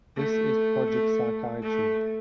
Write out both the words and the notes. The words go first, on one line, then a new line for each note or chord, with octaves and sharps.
This is Project Psychiatry.
A3
A3
A3